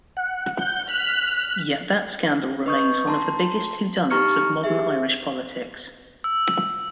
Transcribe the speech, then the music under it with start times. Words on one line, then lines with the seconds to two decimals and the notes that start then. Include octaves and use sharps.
Yet that scandal remains one of the biggest whodunnits of modern Irish politics.
0.17 F#5
0.57 G6
0.89 F6 F#6 B6
2.66 B4 D#5 C#6 D#6 G6
3.07 A5 A#5 C6
4.11 D#4 G4 A#5 C#6 F6 C#7
4.64 G4 G#4 E5
6.24 E6